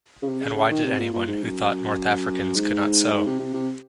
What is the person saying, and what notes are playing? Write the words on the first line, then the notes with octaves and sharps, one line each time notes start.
And why did anyone who thought North Africans could not sew?
C#3
C3
C#3
C#3
D#3
C3
A#2
A#2
G#2
F#2
G#2
G#2
C3
C3
C3